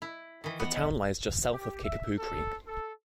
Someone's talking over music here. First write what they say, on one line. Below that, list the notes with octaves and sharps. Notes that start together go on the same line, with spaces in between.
The town lies just south of Kickapoo Creek.
E4
D#3 E3
B3 F#5
D#5
G4
E5
A4
A4